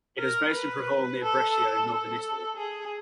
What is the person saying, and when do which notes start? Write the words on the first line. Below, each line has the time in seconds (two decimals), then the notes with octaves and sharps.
It is based in Prevalle near Brescia in northern Italy.
0.19 A#4
0.53 B4
1.21 A4
1.89 A4
2.56 G#4